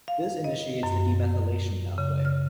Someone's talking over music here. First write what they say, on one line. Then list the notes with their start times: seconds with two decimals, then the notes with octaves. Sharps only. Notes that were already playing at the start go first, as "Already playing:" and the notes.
This initiates the demethylation pathway.
0.08 F5
0.44 D#5
0.83 F#2
1.98 C#3
2.25 F6